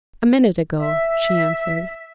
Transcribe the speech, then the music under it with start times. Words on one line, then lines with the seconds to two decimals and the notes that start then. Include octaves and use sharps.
"A minute ago," she answered.
0.78 E5